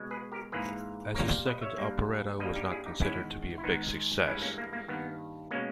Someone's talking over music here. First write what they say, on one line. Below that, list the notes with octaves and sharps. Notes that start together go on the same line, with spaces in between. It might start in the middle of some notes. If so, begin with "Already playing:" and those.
As his second operetta was not considered to be a big success.
Already playing: B2 G#3
G#4 B4
G4 A#4
G#2 E3 A#3 G#4 B4
A#2 G3 A#3 A#4 C#5
B4 D#5
C#5 E5
G2 G3 A#3
G2 G3 A#3 B4 D#5
D#4 G4
E4 G#4
D#4 G4
E2 D#3 G#3 C#4 E4
E4
G#2 D#3 G#3 B3 D#4
G2 E3 G#3 C#4 E4
A#3 C#4
A#3
A#3
G2 D#3 A#3 B3
B2 G#3 A#3 C#4